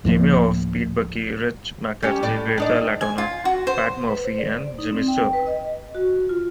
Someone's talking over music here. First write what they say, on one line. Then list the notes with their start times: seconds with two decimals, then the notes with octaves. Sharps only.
Jimmy Howes, Pete Bucky, Rich McCarthy, Greta Latona, Pat Murphy and Jimmy Sturr.
0.05 D2 A2 F3 A#3
2.03 G3 C#4 G4
2.23 A2 D5
2.58 D4 D#4 D5
3.01 G#5
3.18 F4
3.45 F#4
3.67 C5
4.08 B4
4.24 C5
4.39 D5
4.79 D#4
4.92 C4
5.08 G5
5.33 B4
5.47 D#5
5.95 F#4
6.29 F4